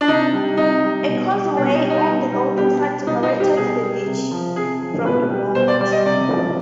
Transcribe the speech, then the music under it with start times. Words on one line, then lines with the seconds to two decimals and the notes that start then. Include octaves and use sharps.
A causeway on the northern side separated the ditch from the moat.
0.01 D4
0.08 C3 D#4
0.33 G3
0.57 C3 D#4
0.83 G3
1.08 B2
1.33 G3
1.57 B2 D4
1.75 D#4
1.83 G3
1.90 D#4
2.08 B2
2.32 G3
2.57 B2 G4
2.82 G3
3.06 B2 D#4
3.23 D#4
3.32 G3
3.40 G4
3.57 B2 G#4
3.81 G3
4.06 C3
4.31 F3
4.56 C3 G#4
4.81 F3
5.05 B2 B4
5.30 G3
5.55 B2 C5
5.68 D5
5.80 G3 D5
5.92 D#5
6.06 C3 D5
6.31 F3